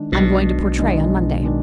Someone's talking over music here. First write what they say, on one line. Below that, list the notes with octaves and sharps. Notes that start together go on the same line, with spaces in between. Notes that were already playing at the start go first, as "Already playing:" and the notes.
"I am going to Portray on Monday."
Already playing: D#3 G#3 D4
B1 B2 D#3 G#3 D4
D#3 G#3 D4
D#3 G#3 D4